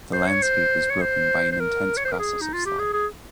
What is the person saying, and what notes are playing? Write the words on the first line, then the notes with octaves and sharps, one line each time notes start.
The landscape is broken by an intense process of sliding.
C5
C#5
C5
C#5
C5
C5
A#4
C#5
C5
A#4
G#4
D#4
F4
G4
G#4
G#4